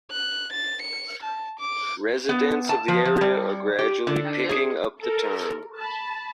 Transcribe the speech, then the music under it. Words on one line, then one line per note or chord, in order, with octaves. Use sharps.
Residents of the area are gradually picking up the term.
F#6
A6
C#7
A5
D6
B3
A5
F3
F3
G3
G4
D3
G#4
A4 A#4
A5 B5